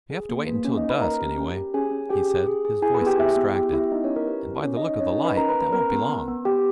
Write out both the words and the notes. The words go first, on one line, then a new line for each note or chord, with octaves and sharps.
"We have to wait until dusk anyway," he said, his voice abstracted, "and by the look of the light that won't be long."
G#4
A#3
A#3 B4
C#4 C#5
D#4 D#5
C#4
B4 B5
A#3 A#4 A#5
G4
C#4
G4
C#4 G#4 G#5
C#4
G4 G#4 G5
G#4
G#4
G#4
E4 G#4 G#5
B4 B5
B3
G4 G5
B3 E4 E5
B3
B3 G4 G5
E4 E5
B3 D#4 D#5
C#4 C#5
E4
A#4
G4 B4
C#4
C#4 C#5
D#4 D#5
C#4
C#4 C#5
D#4 D#5
C#4
B4 B5
C#4 A#4 A#5
B4 B5
C#4
B4 B5
B3 A#4 A#5
B3
B3
B3
B3 G4 G5